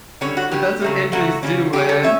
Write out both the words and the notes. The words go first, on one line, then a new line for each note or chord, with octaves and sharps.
But that's what injuries do, man.
D3 G3 C#4 C#5
F#4
D3 G3 C#4 G4
C#3 F#3 A3
C#3 F#3 A3 F#4
C#3 G3 C#4
C#3 G3 C#4 G4
A4
C#4 E5